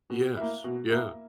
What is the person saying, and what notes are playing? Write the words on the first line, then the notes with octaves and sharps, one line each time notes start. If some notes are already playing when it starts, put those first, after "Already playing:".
Yes. Yeah.
B2
A#3 E4
B2
A#3 E4